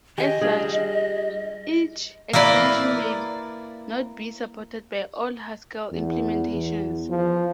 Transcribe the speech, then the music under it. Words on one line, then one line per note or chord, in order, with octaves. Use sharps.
As such, each extension may not be supported by all Haskell implementations.
D#3 G4 G#4 D#5
G3 D4 F4 G#4
A#3 E4 B4 D5
E2
E2
F3